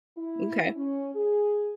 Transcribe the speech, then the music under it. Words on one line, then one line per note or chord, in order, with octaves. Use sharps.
n okay.
E4
C#4
G#4